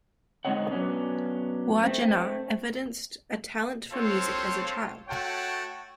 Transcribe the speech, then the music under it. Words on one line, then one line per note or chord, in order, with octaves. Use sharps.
Wagenaar evidenced a talent for music as a child.
D3 G#3 C4 D#4 C#5 F#5
F#3 B3 C#4 D4
A3 C4
C4 D4 F4 A4 C5 C#5
A3 F#4 C#5 F#5 G5 A5